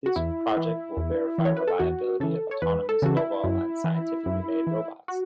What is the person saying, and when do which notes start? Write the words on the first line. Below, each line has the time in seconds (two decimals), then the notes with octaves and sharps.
This project will verify reliability of autonomous, mobile, and scientifically made robots.
0.06 F#4
0.16 E2 E4
0.57 E3
0.97 E2
1.38 E3
1.45 C#5
1.57 B4
1.67 A4
1.79 E2 F#4
2.20 C#3 E3 A4
2.51 C#5
2.62 E2 B4
2.89 A4
3.02 C#3 E3 F#4
3.17 E4
3.44 F#2
3.84 E3
4.26 F#2
4.67 E3
5.08 F#4